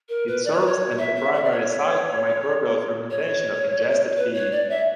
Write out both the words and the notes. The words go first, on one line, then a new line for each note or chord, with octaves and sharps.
It serves as the primary site for microbial fermentation of ingested feed.
A#4
B4
D5
C#5
B4
C#5
E5
E5
E5
D5
C#5
C#5
B4
C#5
D5
E5